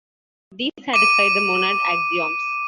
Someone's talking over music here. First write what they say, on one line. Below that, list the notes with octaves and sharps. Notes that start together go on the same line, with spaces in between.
These satisfy the monad axioms.
D6 D#7